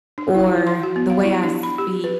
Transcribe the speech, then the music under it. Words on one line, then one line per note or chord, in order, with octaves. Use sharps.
or the way I speak,
D4
E4
C6
F#4
B3
F5
E4
D4
B5
G4
B4